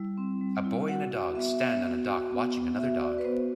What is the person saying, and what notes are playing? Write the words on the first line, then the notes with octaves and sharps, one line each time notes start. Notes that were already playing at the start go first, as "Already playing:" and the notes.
A boy and a dog stand on a dock watching another dog.
Already playing: G3 E4
C4
G3
E4
F#4 F#5
F#4
B3 E5
B3
F#4
F#4
B3
B3
F#4 E5
F#4 D5
B4
B3 C5